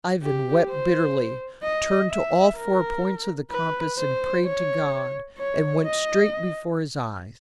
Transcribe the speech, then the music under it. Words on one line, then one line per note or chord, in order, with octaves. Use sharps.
Ivan wept bitterly, turned to all four points of the compass and prayed to God, and went straight before his eyes.
G4
C5
D#5
E5
A#4
B4
C5
C#5
C#5
D#5